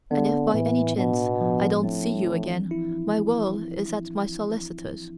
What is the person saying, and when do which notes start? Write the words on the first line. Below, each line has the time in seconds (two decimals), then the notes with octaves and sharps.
And if by any chance I don't see you again, my will is at my solicitor's.
0.10 D3 B3
0.53 A2 E3
0.97 B2 D4
1.41 F3
1.83 A2 C4
2.27 E3
2.71 E4